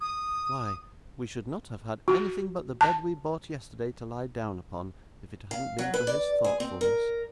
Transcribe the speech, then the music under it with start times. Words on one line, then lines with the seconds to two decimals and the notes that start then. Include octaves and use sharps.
Why, we should not have had anything but the bed we bought yesterday, to lie down upon, if it hadn't been for his thoughtfulness!'
0.01 D#6
2.08 F#4
2.81 A5
5.51 F5
5.79 F#3
5.94 B4
6.07 D5
6.44 G#4
6.60 C4
6.81 A#4